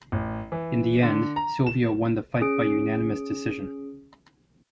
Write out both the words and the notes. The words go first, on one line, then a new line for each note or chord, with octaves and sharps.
In the end Sylvia won the fight by unanimous decision.
A1
E3
D3
A#5
E7
C#4 G#4 D#6 D7